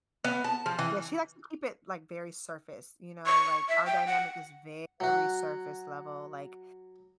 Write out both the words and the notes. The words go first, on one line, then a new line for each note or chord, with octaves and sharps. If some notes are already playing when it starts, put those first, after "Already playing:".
Yeah, she likes to keep it, like, very surface, you know, like, our dynamic is very surface level, like
B3
A5
F3
E3
C#6
E5
G5
F#5
F#3 F#4